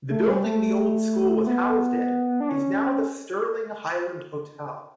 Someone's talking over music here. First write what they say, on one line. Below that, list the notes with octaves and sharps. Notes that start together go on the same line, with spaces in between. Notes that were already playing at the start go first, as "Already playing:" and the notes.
The building the old school was housed in is now the Stirling Highland Hotel.
A3
G3
A3
B3
D4
C#4